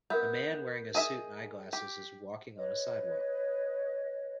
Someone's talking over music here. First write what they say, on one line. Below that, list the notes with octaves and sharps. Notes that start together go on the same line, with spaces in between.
A man wearing a suit and eyeglasses is walking on a sidewalk.
B3 A#4 E5 G6
G#4 D#5 E5
G4
B4 C#5 D#5